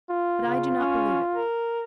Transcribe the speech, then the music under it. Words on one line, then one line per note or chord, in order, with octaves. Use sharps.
But I do not believe it.
F4
C#3
C#4
A#4